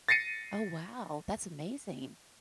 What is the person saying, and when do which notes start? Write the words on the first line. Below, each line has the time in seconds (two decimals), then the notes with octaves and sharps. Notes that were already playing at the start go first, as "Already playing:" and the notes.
Oh, wow, that's amazing.
0.08 A6 A#6 C7 C#7 D#7